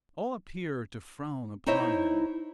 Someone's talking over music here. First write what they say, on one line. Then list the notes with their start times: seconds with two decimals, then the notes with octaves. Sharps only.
All appear to frown upon him.
1.66 D#4 E4 C5 C#5 D#5 E5